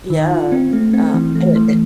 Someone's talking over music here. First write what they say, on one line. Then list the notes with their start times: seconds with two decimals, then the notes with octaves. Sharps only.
yeah, uh, it it
0.10 D#3
0.31 F4
0.52 C4
0.73 A3
0.93 C4
1.14 E3
1.35 A3
1.56 E3